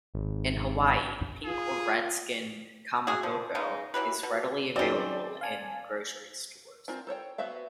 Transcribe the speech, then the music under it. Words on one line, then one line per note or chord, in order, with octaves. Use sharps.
In Hawaii, pink or red-skinned "kamaboko" is readily available in grocery stores.
G#1
F4 G#4
F#4 G#4
D3 F3
C#3 G#3 B3 D#4
E3 F#3 G4 B4
B2
D#3 F#3 C4 C#4 G#4 D5
F5 G#5 A5
C4 F4 A#4 C5 G#5
A4 C5 C#5 G5
B3 F#4 C5 E5 F5